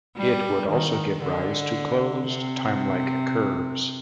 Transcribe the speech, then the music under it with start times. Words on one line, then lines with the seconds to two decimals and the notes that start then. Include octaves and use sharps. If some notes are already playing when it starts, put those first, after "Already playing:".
It would also give rise to closed timelike curves.
0.17 G3
0.70 D#3
1.22 D3
2.27 C3